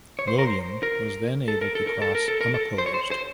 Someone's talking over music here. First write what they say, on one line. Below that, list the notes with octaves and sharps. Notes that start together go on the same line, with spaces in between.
William was then able to cross unopposed.
C#5
C5
A#4
C5
A#4
A4
A#4
A4
A#4
A4
A#4
A4
A#4
A4
C5
C#5
C5
C5